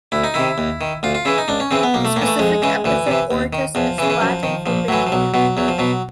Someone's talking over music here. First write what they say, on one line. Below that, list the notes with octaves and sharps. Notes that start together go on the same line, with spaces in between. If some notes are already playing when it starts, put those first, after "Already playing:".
The specific epithet, "auritus," is Latin for big-eared.
D2 E4
D#4
C3 D#3 E4
D#2
D#3
D2 F4
F4
C#3 E3 E4
D#4
C#2 D4
C#4
C#3 E3 C4
B3
B1 A#3
A3
A2 A#3
E3
A3
F2 G#3
C#3 E3
D2 E3
C3 E3
D#2
D#3
E2 F3
E3
C#3
E3
F#2 F3
D#3
A#1 F3
A2 E3 F#3
F3
B1 F#3
B2 F#3
E2 F#3
F3
B2 F#3